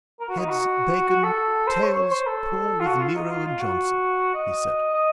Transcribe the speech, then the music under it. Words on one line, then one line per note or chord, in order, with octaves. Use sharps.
"Heads--Bacon; tails--pool with Nero and Johnson," he said.
A#4
F#4
D#4
F#4
F#4
A4
C5
C#5
C#5
C5
A4
F4
F#4
F4
D#4
F4
F4
F#4
D#5
D#5